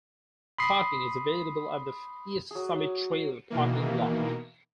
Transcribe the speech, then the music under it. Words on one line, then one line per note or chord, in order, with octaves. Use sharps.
Parking is available at the East Summit Trail parking lot.
B5 C6 D#6 C7
F#3 G#4
B2 D#3 E3 A#3